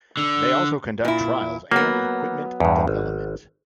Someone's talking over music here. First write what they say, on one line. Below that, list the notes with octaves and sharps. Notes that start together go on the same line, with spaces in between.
They also conduct trials and equipment development.
D3
A#2 E4
F#3 A#3 B3
E2 G2
G#1